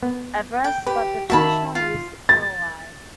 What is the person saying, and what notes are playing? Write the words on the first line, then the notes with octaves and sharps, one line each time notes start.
Everest, but the traditional use is still alive.
B3
G5
G4 B4
D#3 A#3 F#4 E5 A5 B5
F4
A6